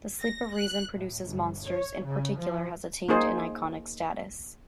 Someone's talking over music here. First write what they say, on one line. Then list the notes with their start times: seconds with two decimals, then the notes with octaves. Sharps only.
"The Sleep of Reason Produces Monsters" in particular has attained an iconic status.
0.20 A#6
0.56 F#6
0.94 A2
1.22 G1
1.65 C#5
2.05 C#3
2.37 F3
3.08 A#3 D#4 G#4 C5